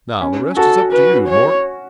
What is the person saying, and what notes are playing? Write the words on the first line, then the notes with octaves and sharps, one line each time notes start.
Now the rest is up to you, Mort.
C#4
F#4 A4
B4
C#5